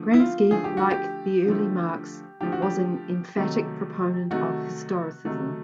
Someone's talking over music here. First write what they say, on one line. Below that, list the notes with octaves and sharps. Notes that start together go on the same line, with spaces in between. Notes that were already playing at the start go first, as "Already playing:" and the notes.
Gramsci, like the early Marx, was an emphatic proponent of historicism.
Already playing: D3 F3 A3
E4
F4
D3 F3 A3 G#4
G4
F#4
G4
D3 F3 A3
D3 F3 A3 G4
F#4
G4
C3 D#3 F#3 A3
C3 D#3 F#3 A3 F#4
C3 D#3 F#3 A3